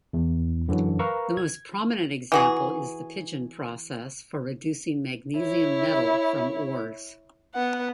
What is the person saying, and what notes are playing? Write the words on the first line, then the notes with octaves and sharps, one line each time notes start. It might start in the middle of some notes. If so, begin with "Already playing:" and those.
The most prominent example is the Pidgeon process for reducing magnesium metal from ores.
E2
F#2 D3 E3 F#3
A#4 B4 F5 A#5 C#6 E6
G#6
E3 F#4 G#4
E4 C#5
B3 F#5